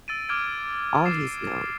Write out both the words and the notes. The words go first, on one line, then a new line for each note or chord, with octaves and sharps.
all he's known,
E6 A6 D7 D#7
D6 F6 G#6 D7
D6 A6 C7 E7